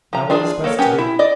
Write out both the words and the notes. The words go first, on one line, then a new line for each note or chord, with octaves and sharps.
Now what is best to do?
F3 A#5
D4 F4 G#4
A#3 A4 C#5
B3 C#4 G4 A#4
E4
D5 D#5